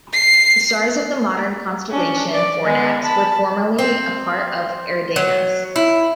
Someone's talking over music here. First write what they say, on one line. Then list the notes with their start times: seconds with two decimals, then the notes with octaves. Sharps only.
The stars of the modern constellation Fornax were formerly a part of Eridanus.
0.13 C7
1.90 C#4 D4
2.33 D5
2.65 G#3 B3
3.03 A5 B5
3.79 C4
5.16 F#3
5.76 E4